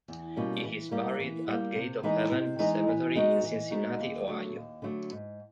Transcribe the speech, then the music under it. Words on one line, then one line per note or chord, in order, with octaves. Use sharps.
He is buried at Gate of Heaven Cemetery in Cincinnati, Ohio.
E2
B2 G3 A#3 C#4
E3
G3 A#3
E3
G3 A#3
C3
E3 G#3 B3 D#4
C3
E3 G#3 B3 D#4
E3
G#3 B3 D#4 F#4
E3
G#3 B3 D#4 F#4
D#2
D3 F#3 A3
D#2
D3 F#3 A3
G#2